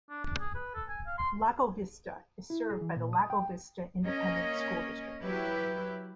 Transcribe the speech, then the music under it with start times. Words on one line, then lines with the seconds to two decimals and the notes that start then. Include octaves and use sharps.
Lago Vista is served by the Lago Vista Independent School District.
0.10 D4
0.25 D4
0.40 G#4
0.55 B4
0.75 A4
0.89 G#5
1.07 F5
1.18 C6
2.50 E4
2.70 G#4
2.81 E3
2.96 A#2
3.13 D#6
3.30 G5
4.06 A#3 C#4 D#5
5.22 F#3 E4 G4 B4